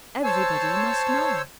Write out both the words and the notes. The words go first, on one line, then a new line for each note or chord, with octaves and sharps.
Everybody must know.
C5 C#5 A5 E6